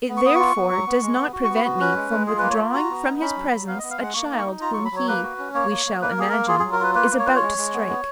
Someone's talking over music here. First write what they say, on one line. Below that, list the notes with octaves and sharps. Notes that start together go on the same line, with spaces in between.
It, therefore, does not prevent me from withdrawing from his presence a child whom he, we shall imagine, is about to strike.
B3
C#6
B3 D#6
F4 C#6
B3
F#3
B3
G#3
B3
F#4
B3 C#6
B5
F#4
C#4 B4
G#3
G#3
F4 G#4
A#3 B4
C#5
F4
F#4 A#5
B3
D#4
C#4 B5
F#3
F#3
B3 F5
B3 D#5
F5
G#3 F#5
A#3 C#6
D#4
C#6
D#4
F4 A#5
F#3 C#6
B5
F#3 C#5
A#3 B4
F#4
C#4
A#3 C#5
A#3
A#3
A#3 B4
A#4
A#3 G#4
A#3 A#4
F4 G#4
F#3 G#4
A#4
F4 B4
A#3 B4
A#3
C#5
F4 B4
C#5
G#3
G#3
B3
B3